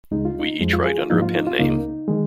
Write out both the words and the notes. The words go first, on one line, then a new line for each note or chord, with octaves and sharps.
We each write under a pen name.
C#2 C#3 G#3 D#4
F4
D#4
F2 F3 G#3
F4
G#4
F4
G#2 F3 A#3 D#4
F4
D#4
F4
C#2 C#3 A#3 D#4
D#3 G#3